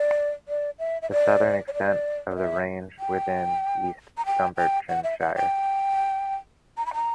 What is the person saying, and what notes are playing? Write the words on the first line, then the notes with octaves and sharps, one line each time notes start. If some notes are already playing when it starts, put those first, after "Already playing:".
The southern extent of the range fall within East Dunbartonshire.
Already playing: D5
D5
E5
E5
D5
C#5
D5
D5
E5
G5
A#5
G5
G5
F#5
E5
F#5
G5
A#5
B5
A#5